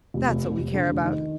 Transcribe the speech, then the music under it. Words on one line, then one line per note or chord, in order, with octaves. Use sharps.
That's what we care about.
F1
F1
F1
F1
D3
F1
D#3